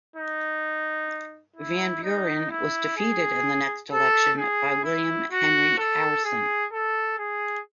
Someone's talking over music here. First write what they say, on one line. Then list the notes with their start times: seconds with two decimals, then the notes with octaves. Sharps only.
Van Buren was defeated in the next election by William Henry Harrison.
0.16 D#4
1.56 E4
2.03 D#4
2.50 E4
2.97 G#4
3.91 A4
4.38 G#4
4.84 E4
5.31 F#4
5.78 A4
6.25 G#4
6.72 A4
7.19 G#4